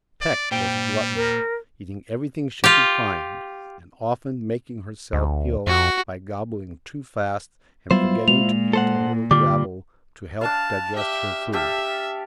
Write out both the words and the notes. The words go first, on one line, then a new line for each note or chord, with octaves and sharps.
Peck was a glutton, eating everything she could find, and often making herself ill by gobbling too fast, and forgetting to eat a little gravel to help digest her food.
D5
A#2 G3 C5 G5
A#4
F4 G4
D2
F2 F#4
F#3 G3 B3 E4 F4 C5
A#2 G#3 F7
A4 C5 F#5
D3 G3 F4 D6
D4 F5 A5
G4 E5
G4 A4 E5 F5